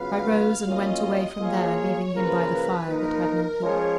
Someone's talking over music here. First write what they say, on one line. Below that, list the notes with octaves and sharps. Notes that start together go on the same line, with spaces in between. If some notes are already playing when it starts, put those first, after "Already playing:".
I rose and went away from there, leaving him by the fire that had no heat.
Already playing: C#3 F#3 B3 F4 B4 F5
A#2 F#3 C#4 F4 D#5
F3 A#3 F4 G#4 C#5
C#3 F3 A#3 F4 A#4 B4
F3 A#3 D#4 A#4
F3 G#3 C#4 G#4 C#5